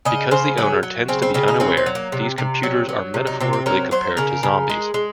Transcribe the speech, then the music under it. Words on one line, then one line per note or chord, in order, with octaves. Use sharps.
Because the owner tends to be unaware, these computers are metaphorically compared to zombies.
C#3 D#5
C#3 C5
F#3 G#4
F#3
C#3 C4
C4
C#3 C4
D#4
F#3 C4
C4
F#3
A#3
C3
C3
F#3
F#3
C3
D#4
C3 C4
C4
F#3 A#4
F#3 C5
C#3 A#4
C#3
G#3
G#3